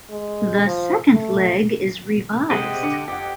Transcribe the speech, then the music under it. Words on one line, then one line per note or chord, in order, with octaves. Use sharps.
The second leg is revised.
G#3
F3
A3
C3 G#3 C4 G4 D#5 F#5
D3 D6 C#7
F2 G4 F#5